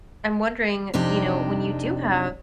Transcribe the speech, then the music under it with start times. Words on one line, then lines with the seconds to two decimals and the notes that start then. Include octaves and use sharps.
I'm wondering, you know, when you do have
0.94 F2 C3 D4 D#4 G4